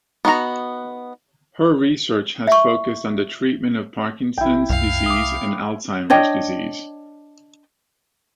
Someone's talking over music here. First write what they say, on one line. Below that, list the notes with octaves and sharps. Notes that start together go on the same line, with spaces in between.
Her research has focused on the treatment of Parkinson's disease and Alzheimer's disease.
B3 D#4 F#4 F#5 A#5
E5 C#6
A#1 E4 G5
C2 F#2 F5
D6 D#6
D4 C#5 D#5 G5